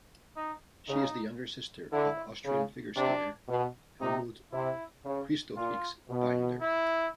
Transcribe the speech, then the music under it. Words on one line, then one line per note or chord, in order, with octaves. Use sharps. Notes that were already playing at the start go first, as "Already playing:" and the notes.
She is the younger sister of Austrian figure skater Helmut Kristofics-Binder.
D#4
C#3 D#4
D3 E4
C#3
C3 D4
B2
C3 D#4
C3 E4
C#3
A#2 F4
B2
E4